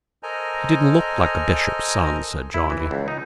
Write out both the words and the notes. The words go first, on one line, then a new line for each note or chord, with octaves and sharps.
"He didn't look like a bishop's son," said Johnny.
A4 A#4 C5 D#5 G#5 A#5
E4
E3
C#2
D#4